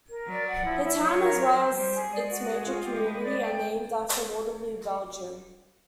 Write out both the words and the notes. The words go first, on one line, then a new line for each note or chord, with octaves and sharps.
The town, as well as its major community, are named after Waterloo, Belgium.
A#4
F#3 D5
F#5
F3 E4
E4
F#3 C#5
A#4
C5
C5
G3 C5
G#4
G#3 D5
F#4
G#4
F4
G#3 G4
B4
D5
G5